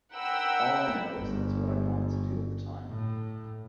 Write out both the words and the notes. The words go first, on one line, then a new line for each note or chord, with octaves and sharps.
All I know is that it's what I wanted to do at the time.
A#4 F#5 G5 B5 E6
G1
A2